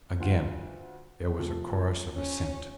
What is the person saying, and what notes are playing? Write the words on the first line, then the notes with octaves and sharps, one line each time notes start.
Again there was a chorus of assent.
D2 F4 F#5
C3 F3 A3
C#4